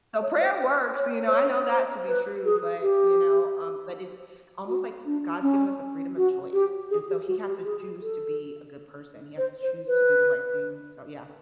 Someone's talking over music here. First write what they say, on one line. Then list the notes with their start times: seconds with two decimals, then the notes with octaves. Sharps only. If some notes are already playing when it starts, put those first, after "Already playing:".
So prayer works, you know, I know that to be true, but you know, um, but it's almost like God's given us a freedom of choice, and so he has to choose to be a good person, he has to choose to do the right thing, so, yeah.
0.22 C#5
0.41 C5
0.60 C5
0.97 C#5
1.27 C5
1.34 C#5
1.71 C5
2.08 B4
2.45 G#4
2.82 G4
4.68 F#4
5.05 D4
5.42 C#4
6.17 F#4
6.53 G4
6.91 G#4
7.09 G4
7.27 F#4
7.47 G4
7.65 G#4
8.02 A4
9.38 C5
9.63 C5
9.88 B4